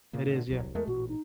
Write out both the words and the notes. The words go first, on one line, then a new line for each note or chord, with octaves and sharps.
It is, yeah.
A#2 C#3 A#3
A2 D3
D#1 C2 F#3
E2 G#3 A3 A#4
A1 A#2 F#4
D#4